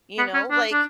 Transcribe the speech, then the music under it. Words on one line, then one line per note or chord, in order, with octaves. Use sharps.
you know, like,
B3
C#4
D4
D4